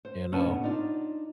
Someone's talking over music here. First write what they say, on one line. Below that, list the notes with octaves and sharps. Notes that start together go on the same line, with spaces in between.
you know
C5
C#3 C#4 D4 B4 A5
B2 D3
D4 D#4 F4 D5